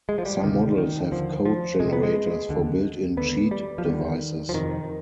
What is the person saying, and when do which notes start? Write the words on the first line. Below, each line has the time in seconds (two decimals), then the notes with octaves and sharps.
Some models have code generators for built in cheat devices.
0.09 G#3
0.18 F3
0.26 G3
0.43 D2 C3 D#3
0.78 D#3
1.11 D#2 D3 F3
1.45 F3
1.79 D2 C3 G#3
1.93 B3
2.03 G#3
2.49 D#2 D3
3.17 D#2 D3 B3
3.51 G3
3.78 F3
3.85 D#2 D3 D#3
4.49 F3
4.54 F2 C3 D#3